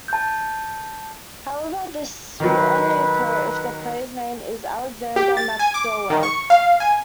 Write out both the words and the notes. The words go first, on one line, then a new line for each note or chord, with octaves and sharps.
However this will only occur if the players name is Alexander McDowell.
A5 G6
D#3 F#3 B4
G4
A6
G#5
D6
D#3
C#6
F5
G#5